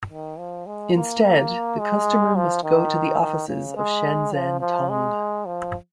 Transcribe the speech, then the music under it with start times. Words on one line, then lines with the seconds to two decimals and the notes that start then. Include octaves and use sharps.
Instead, the customer must go to the offices of Shenzhen Tong.
0.10 D#3
0.38 F3
0.66 G#3
0.95 A#3
1.23 A#3
1.80 G#3
2.37 F3
2.64 D#3
3.21 D#3
3.48 C#3
3.77 G#3
4.34 F3
4.61 F3
4.89 G#3
5.46 F3